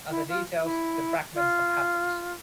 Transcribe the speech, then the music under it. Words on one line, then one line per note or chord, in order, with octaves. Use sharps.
Other details, the fragments of happiness.
E4
F4
E4
F4